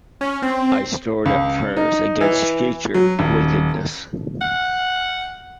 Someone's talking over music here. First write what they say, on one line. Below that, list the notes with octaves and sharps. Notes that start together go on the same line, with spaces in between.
I stored up prayers against future wickedness.
C#4
C4
C#2
D#4
E3
F#3
D#1
F#5